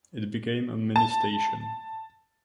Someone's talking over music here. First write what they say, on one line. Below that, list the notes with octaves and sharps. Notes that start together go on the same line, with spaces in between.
It became a mini-station.
A5